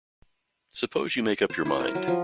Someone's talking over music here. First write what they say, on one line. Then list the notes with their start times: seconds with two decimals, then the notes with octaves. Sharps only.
Suppose you make up your mind.
1.50 C5
1.65 E4
1.80 A#4
1.95 F#3
2.08 F3